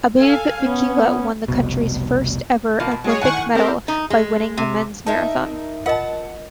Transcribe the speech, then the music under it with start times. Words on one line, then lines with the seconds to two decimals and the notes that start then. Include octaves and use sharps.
Abebe Bikila won the country's first ever Olympic medal by winning the men's marathon.
0.18 A4 F5 G#5
0.63 B3 C#4
1.48 F1 C2 B2
2.80 B2 F3 A#3
2.91 B2
3.04 F#3 G#3 G#4 C#5
3.21 A2 D#3 F#5 G#5 C#6
3.55 C4 G4 A4 A#4
3.88 D#4
4.10 G#3
4.57 C3
5.07 D#4 A#4 E5 A5
5.86 F4 A#4 D#5 F#5 A5